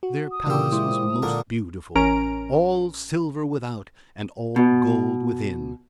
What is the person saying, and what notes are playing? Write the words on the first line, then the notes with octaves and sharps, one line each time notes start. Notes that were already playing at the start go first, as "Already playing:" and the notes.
Their palace was most beautiful, all silver without, and all gold within.
F#4
D#6
A#2 C#3 E3 G4 E6
G#3 E4 C5
A#2 D3 A#4
A1 C#4 A#4 A#5 D7
B2